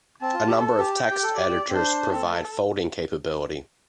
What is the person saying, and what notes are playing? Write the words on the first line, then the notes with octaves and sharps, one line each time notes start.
A number of text editors provide folding capability.
C4 A5
F4
G4
A4 A5
G4
G5
G4
A4
G4 D5
G4
C4
D4 C5
C4 A4
A3